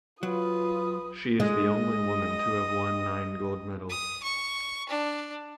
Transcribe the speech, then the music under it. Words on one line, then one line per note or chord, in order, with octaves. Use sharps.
She is the only woman to have won nine gold medals.
F#3 F4 B4 D#6
G#3 D#5 D#6
D#6
C#6
D4